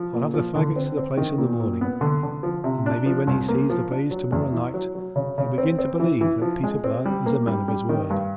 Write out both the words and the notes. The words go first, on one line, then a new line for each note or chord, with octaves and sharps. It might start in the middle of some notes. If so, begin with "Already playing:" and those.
I'll have the faggots to the place in the morning, and maybe when he sees the blaze to-morrow night he'll begin to believe that Peter Blood is a man of his word.
Already playing: F3
A#2
F3
D3
C4
C4
D#3
A#2
A#2
B3
D3
D3
F3
C3
D4
F3
C2
A#3
F3
D4
F#3
E2
E3
F#3
F#3
C#3
C#3
C4
C4
E3
E3
F3
G#3
C4
G3
A#3
G3
G3
D#3
G2